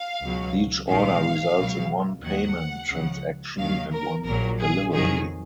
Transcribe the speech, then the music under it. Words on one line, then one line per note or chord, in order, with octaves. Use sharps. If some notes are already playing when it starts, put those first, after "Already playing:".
Each order results in one Payment transaction and one Delivery.
Already playing: F5
C#2 B2 F#3
A#1 G#2 D#3 F#3 F5
C#2 B2 F#3
D#2 D#3 F#3 F#5
C#2 C#3 F3
D#2 D#3 F#3 F5
A#4
A#1 A#2 F#3 A#4
G#4
F2 D#3 F#3 G#4